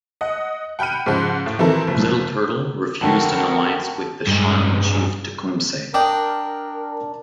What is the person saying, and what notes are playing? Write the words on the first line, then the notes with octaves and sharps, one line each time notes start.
Little Turtle refused an alliance with the Shawnee chief Tecumseh.
D#5 F#5
F#5 G5 B5 F6 D#7
G#2 C#3 F3 C5 F#5
A2
D#3 E3 C4 E4 A4 A#4
F#1 F3
F2 D3 A3 F#4 A#4 G5 A5
G2 G#3
D4 A#4 D#5 G5